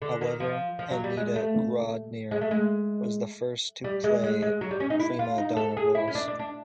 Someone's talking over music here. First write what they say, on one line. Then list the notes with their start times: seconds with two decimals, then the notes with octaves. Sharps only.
However, Annetta Grodner was the first to play "prima donna" roles.
0.02 D3
0.21 D#3
0.40 F3
0.79 F3
0.91 F#3
1.04 G3
1.17 G#3
1.36 A3
2.31 G#3
2.41 A3
2.51 G#3
3.84 G3
4.04 G#3
4.24 G#3
4.42 G#3
4.61 F#3
4.71 G3
4.80 C#4
4.90 D#4
5.00 E4
5.19 F4
5.38 D#4
5.56 A4
5.77 G#4
5.95 E4
6.07 C#4
6.15 D4
6.28 D4
6.39 D4